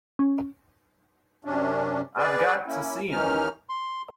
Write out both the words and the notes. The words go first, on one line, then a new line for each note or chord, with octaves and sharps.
I've got to see him.
C#4
F#2 C3 C#4 D4
G#4 B4 D5
A#3 C#4 E4
D#2 D#3 E3 C#4 D#4 F6
C6